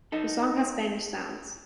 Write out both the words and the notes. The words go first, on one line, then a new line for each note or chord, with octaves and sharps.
The song has Spanish sounds.
D#4 A4